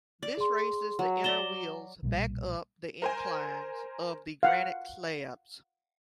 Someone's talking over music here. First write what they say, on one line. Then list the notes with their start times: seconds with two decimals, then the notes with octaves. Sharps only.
This raises the inner wheels back up the inclines of the granite slabs.
0.23 D5
0.37 G#4 C6
0.99 F#3
1.24 D5 A#5 E7 G7
2.03 B1 A#2 C#3 G3
3.02 A#4 C5 G#5
4.43 F5 F#5